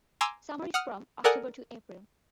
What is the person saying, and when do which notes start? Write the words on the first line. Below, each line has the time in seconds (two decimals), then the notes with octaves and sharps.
Summer is from October to April.
0.21 G#5 A#5 C6 D6 E6
0.74 F#5 D#6 F6
1.24 A4 A#4 D5 F#5 G#5 D#6